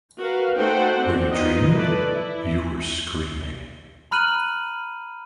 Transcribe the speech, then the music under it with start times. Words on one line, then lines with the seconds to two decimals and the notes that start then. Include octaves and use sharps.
Were you dreaming? You were screaming.
0.18 F#4 A#4 B4 F5
0.56 A3 D#4 F#4 C5 F#5 G5
0.98 C4 D4
1.30 B3 D#4 F4 D#5
1.73 A3 E4 A4 B4 D5
2.12 E4
4.11 A#5 B5 F6 F#6 D#7 F#7